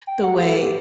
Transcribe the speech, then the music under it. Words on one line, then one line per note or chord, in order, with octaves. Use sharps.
the way
G5
F#5
G4
A4
G4